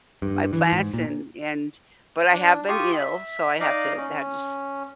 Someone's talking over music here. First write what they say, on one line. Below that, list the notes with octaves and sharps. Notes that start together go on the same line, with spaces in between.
My plants and and but I have been ill so I have to that just
G2
E3
G#2
A#2
D4
F4 G4 C#6 D#6
E5
D#4 D5 D#5 F5
C#4